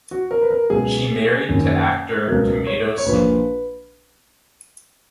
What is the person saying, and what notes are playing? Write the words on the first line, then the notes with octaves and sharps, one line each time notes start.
She married to actor "Tomato Somu".
F#4
A#4
B4
A#4
C#2 B2 F#3 G#4
F#1 F#2 D#3
C#2 B2 F#3 A#4
C#5
C#5
A#1 A#2 F3 B4